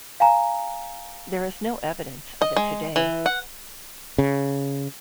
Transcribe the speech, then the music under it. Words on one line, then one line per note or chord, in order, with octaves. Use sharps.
There is no evidence of it today.
F5 G#5 A#5
D#5
G#3
E3
F#5
C#3